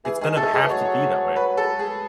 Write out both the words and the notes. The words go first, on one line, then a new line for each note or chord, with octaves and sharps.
It's gonna b have to be that way.
E3 G#4
D#3 G#4
A3 A4
G#3 G#4
E3
F#3 C#5
B4
A4
G#4